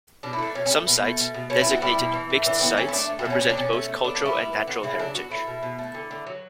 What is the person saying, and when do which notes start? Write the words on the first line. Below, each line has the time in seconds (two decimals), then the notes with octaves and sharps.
Some sites, designated "mixed sites," represent both cultural and natural heritage.
0.23 B2 D4
0.33 E4
0.39 A3 D4
0.55 B2 C#4
0.66 C#4
0.71 A3
0.86 B2 B3
1.03 A3
1.18 B2
1.34 B2
1.50 B2 C#4
1.61 E4
1.66 B3 F#4
1.82 G3 E4
1.98 B2
2.14 E3
2.30 A2
2.46 E3 D4
2.61 E3 B3
2.77 A3 C#4
2.88 E4
2.93 A3 D4
3.09 A3
3.19 F#4
3.25 B2 C#4
3.40 B2 C#4
3.50 D4
3.57 B2 C#4
3.73 A3
3.88 A3
4.04 B3 D4
4.15 D4
4.20 G3
4.25 E4
4.36 B3
4.52 D3
4.67 B3 F#4
4.83 C#3 E4
4.99 F#3 D4
5.15 B3 F#4
5.30 A3 E4
5.47 B2
5.63 B2
5.79 A3
5.94 D3
6.11 D3
6.26 F#3